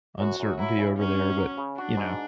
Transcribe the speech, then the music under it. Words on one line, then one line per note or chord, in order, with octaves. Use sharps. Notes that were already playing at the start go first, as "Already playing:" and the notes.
uncertainty over there, but, you know,
F#2 F#4
F#2
F#3 E4
C#3
F#2 C#4
F#2
F#3
C#3
D4 F#4
G#2